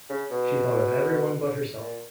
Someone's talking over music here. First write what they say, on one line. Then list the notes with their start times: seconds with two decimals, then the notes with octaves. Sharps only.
She thought of everyone but herself.
0.10 C#3
0.31 B2
1.80 A#2